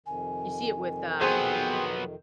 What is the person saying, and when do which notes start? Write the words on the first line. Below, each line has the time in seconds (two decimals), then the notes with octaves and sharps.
You see it with uh,
0.06 F2 C3 D#3 G#5
1.21 F#3 B3 G#4 C5 G5